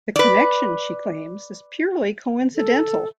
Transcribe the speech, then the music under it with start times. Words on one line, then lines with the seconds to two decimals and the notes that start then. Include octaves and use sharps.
The connection, she claims, is purely coincidental.
0.16 B4 D5
2.56 A4